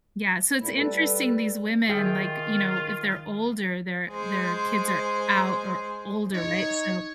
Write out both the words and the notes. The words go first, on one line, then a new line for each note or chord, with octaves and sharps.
Yeah, so it's interesting, these women, like, you know, if they're older, their their kids are out or older, right? So
A#2 A3 E4
G3 A4 B4
D#3 F4 G#4 E5 G5
G#3 C5
D#4 C#5